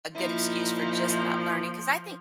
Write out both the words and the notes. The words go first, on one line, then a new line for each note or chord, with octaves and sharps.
a good excuse for just not learning. 'Cause I think
A#2 F3 D#4 E4